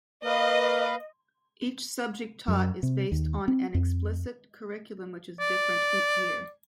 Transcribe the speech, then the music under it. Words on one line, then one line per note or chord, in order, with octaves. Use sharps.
Each subject taught is based on an explicit curriculum which is different each year.
A#3 B4 D#5 F5
F#2
C3
D#2
C4
F2
D5